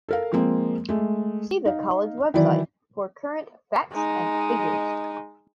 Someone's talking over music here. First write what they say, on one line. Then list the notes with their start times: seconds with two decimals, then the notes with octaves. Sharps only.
See the college website for current Facts and Figures.
0.08 A4 A#4 F5
0.32 F3 G#3 A#3 C4
0.89 G#3 A3
1.65 D#4 F5
2.34 D#3 E3 F#3 E4 D5
3.92 G#3 D#4